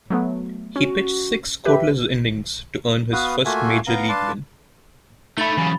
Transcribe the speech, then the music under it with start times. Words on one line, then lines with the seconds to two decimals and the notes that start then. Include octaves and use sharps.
He pitched six scoreless innings to earn his first major league win.
0.10 F#3 A3 B3
0.76 C#4 F#4
1.65 G4 B4 E5
3.13 B3 F#4 B4 F5 D#6
3.45 A3 A#3 F4 F#4 E5 G#5
3.87 B3 F5 A#5
4.09 D4 B4 F5 A5 C6
5.38 A3 D#4 E5 B5 A6 G7
5.58 C#3 E3 F#3